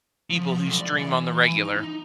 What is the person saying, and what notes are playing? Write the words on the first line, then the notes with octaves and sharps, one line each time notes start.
people who stream on the regular.
F3
B1
D5
E3
D#4
D#4